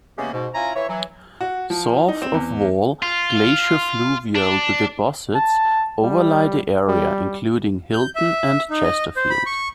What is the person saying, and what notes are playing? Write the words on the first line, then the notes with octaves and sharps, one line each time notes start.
South of Wall glaciofluvial deposits overlie the area including, Hilton and Chesterfield.
C#3 E3 G#3 A#3 B3 G4
G#2 B2
C#4 E4 F4 G#5 A#5
E3 C#5 E5
E3 F#3
F#4
F3
D#4
C4
E2
F4
D4
A5
G3
G3
G6
E5
D#4
D#5
C5
B5
C#6